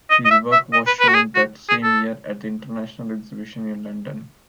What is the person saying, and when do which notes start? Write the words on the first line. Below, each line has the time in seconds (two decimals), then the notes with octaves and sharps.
His work was shown that same year at the International Exhibition in London.
0.10 D#5
0.25 D#5
0.31 E5
0.52 E5
0.73 D#5
0.87 B4
1.00 B4
1.08 F#4
1.14 G#4
1.35 F#4
1.69 G#4
1.83 A4